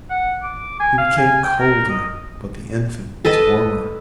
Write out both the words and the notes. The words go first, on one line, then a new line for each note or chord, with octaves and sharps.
He became colder, but the infant was warmer.
F#5
D6
G#5
F5
G#5
G5
A#4
D#5
A4 B4 D#5 A5